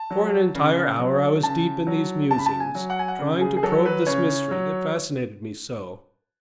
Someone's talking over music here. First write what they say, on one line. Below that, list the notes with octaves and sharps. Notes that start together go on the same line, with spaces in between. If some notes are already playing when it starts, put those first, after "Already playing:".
For an entire hour I was deep in these musings, trying to probe this mystery that fascinated me so.
Already playing: A5
F#3
C#3
F#3
C#3 A5
F#3
C#3 A5
B5
A5
G#5
F#3
F#5
G#5
F#5
C#3
G#4
G#4
F#3 A4
B4
C#3 C#5
F#3